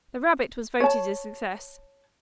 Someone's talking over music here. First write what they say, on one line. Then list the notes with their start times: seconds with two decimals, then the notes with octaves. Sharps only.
The rarebit was voted a success.
0.80 C#5 A5